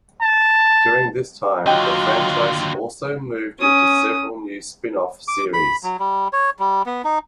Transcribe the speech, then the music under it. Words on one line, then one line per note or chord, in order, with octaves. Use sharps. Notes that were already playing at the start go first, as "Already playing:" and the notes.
During this time, the franchise also moved into several new spin-off series.
A5
D#2 D3 F#3 D#4 F4 F#4 D#5 G5
C#4 D#6
D6
B5
F#3
G3
C#5
G3
B3
D#4